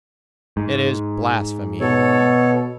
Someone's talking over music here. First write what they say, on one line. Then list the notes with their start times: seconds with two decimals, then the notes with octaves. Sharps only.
"It is blasphemy!"
0.57 G#2
1.80 B2 A4 C#5